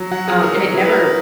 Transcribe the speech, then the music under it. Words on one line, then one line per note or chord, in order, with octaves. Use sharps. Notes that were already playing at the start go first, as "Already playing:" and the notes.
Um, and it never
Already playing: F#3
F#3 F#5
G#4
F#3 A#4
A#4
E4 B4
B4
A#4